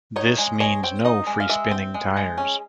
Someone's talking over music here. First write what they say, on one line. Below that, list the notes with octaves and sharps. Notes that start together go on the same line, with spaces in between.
This means no free-spinning tires.
D#4 C#5
G#3
G#3 C#5
C4
D#4 D#5
G#3
F5
G#3 E5
C4
G#3
G#3
C#4